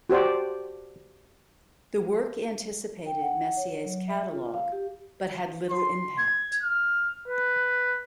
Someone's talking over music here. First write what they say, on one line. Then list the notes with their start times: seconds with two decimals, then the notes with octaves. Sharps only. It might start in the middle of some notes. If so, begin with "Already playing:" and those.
The work anticipated Messier's catalogue, but had little impact.
0.10 F#4 G4 C5 D5
3.06 G5
3.21 F#5
3.57 C#5
3.85 F#3
4.08 E5
4.30 F4
4.54 F5
4.72 G4
5.71 C6
6.19 G#6
6.62 F6
7.28 B4